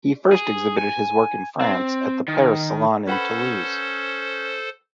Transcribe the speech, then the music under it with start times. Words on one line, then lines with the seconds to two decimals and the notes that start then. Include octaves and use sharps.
He first exhibited his work in France at the Paris Salon and in Toulouse.
0.32 G#4
0.78 G#5
1.61 C4
2.28 D#3
3.07 C#4 A4 B4 C5 F#5 B5